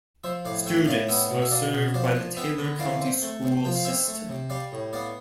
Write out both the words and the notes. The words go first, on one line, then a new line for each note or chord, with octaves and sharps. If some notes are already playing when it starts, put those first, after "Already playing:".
Students are served by the Taylor County School System.
F3 C5 E5
A2 D5 F5
A3 E5 G5
A2 D5 F5
B3 E5 G5
B2
E5
D4 D5 F5
B2
F3 D5 F5
D4
B3 E5 G5
D3
E3 D5 F5
C4
A3
C3
F3 G5
F5
C4 E5 G5
A3
C3
G3 D5 F5
A2
B3 D5 F5